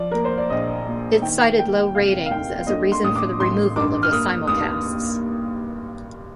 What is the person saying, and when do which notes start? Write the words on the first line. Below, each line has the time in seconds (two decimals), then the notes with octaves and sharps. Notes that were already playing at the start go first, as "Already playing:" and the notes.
It cited low ratings as a reason for the removal of the simulcasts.
Already playing: F3 D5
0.11 A#3 A#4
0.24 C5
0.38 D5
0.50 A#1 D#5
0.87 A#2
1.22 D#3 G5
1.59 A#3 G5
1.95 F1 F5
2.26 F5
2.31 D#2 G5
2.67 D3 D#5
2.92 C6
3.04 A1 D#6
3.16 D6
3.40 A1 C6
3.76 G2 D6
4.03 F6
4.12 A#3 D#6
4.47 D#2 D#6